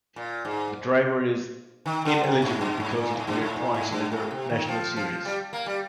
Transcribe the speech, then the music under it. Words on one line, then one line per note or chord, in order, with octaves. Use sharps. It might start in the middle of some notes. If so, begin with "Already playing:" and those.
The driver is ineligible because he declared points in another national series.
A#2
G#2
D#3
D3
C3
G#2
G2
G#2
A#2
G#2
G2
G#2
A#2
G#2
G2
G#2
C3
D#3
F3
F3
G3
A#3
G3